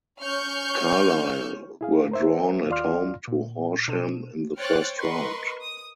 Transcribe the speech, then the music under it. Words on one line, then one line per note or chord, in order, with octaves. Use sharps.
Carlisle were drawn at home to Horsham in the first round.
C#4 C#5 C#6 F6 G6
E4 G#4 F5
A#4 C5 E5
D#2 F4 D5 F5 C6 F6
A#2
B2 D4 A4 C5 D#7 E7
C5 C#5 G5 F6 F#6 A6
A#4 B4 D#5 C6 C#6
D#6